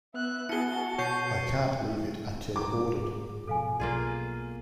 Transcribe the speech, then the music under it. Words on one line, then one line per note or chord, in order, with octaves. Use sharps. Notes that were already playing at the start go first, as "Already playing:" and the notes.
I can't leave it until ordered.
B3 E5 F#6
E4 F#4 G#4 A5 C#7 G7
B2 C#5 C#6 G6 C7
D1 G#2 D#4 A#5 D6
G#4
G#2 B2 F3 A4 F5 G#5
B1 B2 A#3 F4 G#4